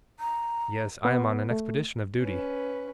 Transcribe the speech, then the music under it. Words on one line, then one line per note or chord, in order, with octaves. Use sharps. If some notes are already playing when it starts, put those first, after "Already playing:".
'Yes, I am on an expedition of duty.
A#5
B3
A3
C#4 B4